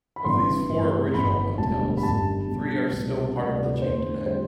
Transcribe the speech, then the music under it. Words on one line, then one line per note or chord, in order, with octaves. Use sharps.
Of these four original hotels, three are still part of the chain today.
B5
G1 G2 E3 B3 D4 C6
G2 E3 A3 C4
G1 F#2 E3 B5
E1 D2 D3 G3 A5
B5
G1 F#2 D3 G3 A5
B1 B2 G3 D4
C2 B2 G3 B3 D4
D2 C3 G3 C4 F#5
D5
B4
E2 D3 A3 C5
D3 G3 C4 C5